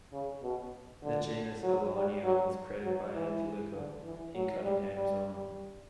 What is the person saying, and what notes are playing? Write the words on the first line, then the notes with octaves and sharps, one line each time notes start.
The genus "Alania" was created by Endlicher in Cunningham's honour.
C#3
B2
D3
F#3
G3
F#3
F#3
E3
D3
E3
F#3
G3
G3